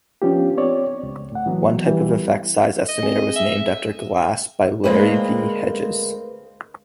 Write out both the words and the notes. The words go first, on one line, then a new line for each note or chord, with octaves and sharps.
One type of effect size estimator was named after Glass by Larry V. Hedges.
F3 B3 C#4 D4 F4 G4
C4 C#5 D5
C#2
A2 F#5
E3 F#3 B3
E3 G3
D#5
C4 G#4
E5
D2 G#3 A#3 C4 B4